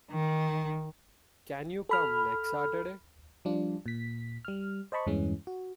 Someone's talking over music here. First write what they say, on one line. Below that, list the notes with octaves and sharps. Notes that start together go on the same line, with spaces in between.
Can you come next Saturday?
D#3
A4 B5 F6
F3 G3 D4 F4
A#2 B6
G3 F6
C5 D#5 A5 B5 C#6
E2 G2 E3 G#3 C#4
F#4